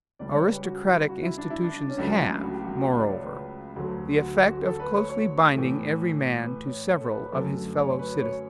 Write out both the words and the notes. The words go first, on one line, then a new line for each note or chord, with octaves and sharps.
Aristocratic institutions have, moreover, the effect of closely binding every man to several of his fellow-citizens.
C#2 C#3 G3 D5
C#5
B4
G4
F#4
E4
F#4
E4
D4
E4
D4
C#4
C#2 C#3 F#3 A3 D4
E4
F#4
G4
F#4
F#4
F#4
D5
C#5
B4
D2 D3 F#3
F#4
G4
F#4
A4
B4
C#5
C#5
A2 E3 A3
B4
C#5
C#5
A4
B4
F#2 D3 F#3 A3 A4
C#5
B4
C#5